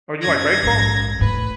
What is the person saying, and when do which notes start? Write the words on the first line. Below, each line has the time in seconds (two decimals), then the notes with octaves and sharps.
Oh, you like baseball?
0.21 F#2 G#6 A#6
0.63 A#1 G#2
1.19 A1 A2 B4